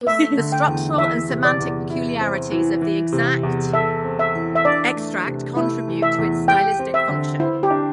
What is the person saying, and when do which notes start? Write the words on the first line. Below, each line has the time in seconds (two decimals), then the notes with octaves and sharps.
The structural and semantic peculiarities of the extract contribute to its stylistic function.
0.07 A3 E5
0.38 D3
0.52 G5
0.67 E2
0.98 E3 E5
1.29 C3
1.45 D5
1.60 E2
1.90 E4
2.21 C4
2.51 E3
2.82 E3
3.12 C3
3.43 E2
3.73 A4 E5
4.04 C4
4.19 E5
4.34 E3
4.56 E5
4.65 D4 D5
4.96 A3
5.26 C3
5.57 A3 E4
5.88 E3
6.02 E5
6.18 E2
6.48 G4 G5
6.79 C4
6.94 E5
7.09 D3
7.40 E4 C5
7.63 G4
7.71 D4